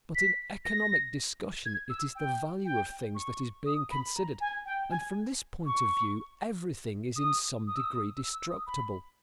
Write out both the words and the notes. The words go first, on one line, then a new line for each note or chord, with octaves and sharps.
But in economic discussion it is the value of things that is being considered, and from this point of view everything is in some degree destructible.
B6
A#6
G#6
E6
G5
G5
C#6
D#6
B5
A#5
G#5
G5
G#5
C#6
D#6
D#6
E6
D#6
E6
E6
D#6
B5